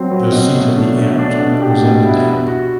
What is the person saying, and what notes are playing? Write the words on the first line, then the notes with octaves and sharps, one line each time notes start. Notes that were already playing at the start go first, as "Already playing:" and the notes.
The seat of the "Amt" was in Damp.
Already playing: F#3 C4
F#3
B2
A3
D4
A3
D4
B2
G4
B2
E4
F#4
F#4